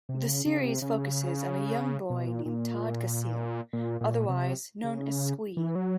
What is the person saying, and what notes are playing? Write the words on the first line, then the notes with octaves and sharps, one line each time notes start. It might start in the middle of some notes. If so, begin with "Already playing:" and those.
The series focuses on a young boy named Todd Casil, otherwise known as Squee.
C3
C#3
C#3
C3
C#3
B2
A#2
A#2
A#2
A#2
C3
C#3
E3
F#3